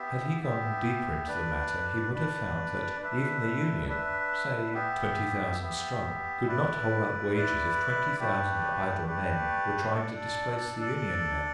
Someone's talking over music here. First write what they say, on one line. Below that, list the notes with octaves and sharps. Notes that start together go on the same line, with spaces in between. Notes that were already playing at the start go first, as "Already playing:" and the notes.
Had he gone deeper into the matter, he would have found that even the union, say twenty thousand strong, could not hold up wages if twenty thousand idle men were trying to displace the union men.
Already playing: B3 G4 E5
B3 G4 E5
D4 B4 D5
D4 B4 D5
D4 B4 E5
D4 B4 E5
B3 G4 E5
B3 G4 E5
E4 B4 D5
E4 B4 D5
A3 G4 B4 D5
A3 G4 B4 D5
D4 A4 D5
D4 A4 D5